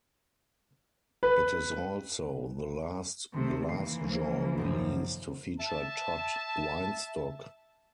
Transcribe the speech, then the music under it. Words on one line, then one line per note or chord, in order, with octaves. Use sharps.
It is also the last Glassjaw release to feature Todd Weinstock.
B4
C3 D#3 A3
E3 A#3 C7
F3 C#4
F1 F#2 D#3
E5 A5